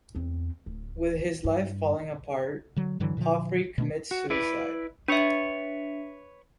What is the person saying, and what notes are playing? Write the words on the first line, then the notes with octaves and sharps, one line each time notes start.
With his life falling apart, Palfrey commits suicide.
E2 C4
D1
G2
D3 F#3
G2 D3 E3 F#3
A#2 D3 D#3 F3
B2 A3 C4 D4
F#4
E4 B4 D5
D4 B4 C#5 E5